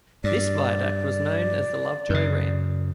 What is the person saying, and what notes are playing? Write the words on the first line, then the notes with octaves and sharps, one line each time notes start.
This viaduct was known as the Lovejoy Ramp.
G2 D5
F#2 C#3